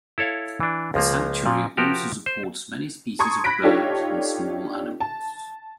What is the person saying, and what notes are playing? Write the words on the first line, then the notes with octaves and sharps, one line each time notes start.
The sanctuary also supports many species of birds and small animals.
E4 A4 C#5 F5
E3 D4
C#2 F3 A#3
A#2 F3
F3 F#4 G4 A#4
C5
A5 A#5 C6 C#6 D#6 G#6
B5 F#6 A#6 B6 D7
D4 D#4 F4 G4 A4 C#5
A5